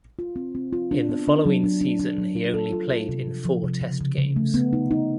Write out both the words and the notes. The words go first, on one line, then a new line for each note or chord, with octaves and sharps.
In the following season he only played in four test games.
F4
C4
C4
F4
D4
B3
D4
F#3
D4
D4
D4
F#3
F4
A4
F4
F4
C3
F3
F3
C3
C#3
C#3
C#3
A3
B3
D#4
D#4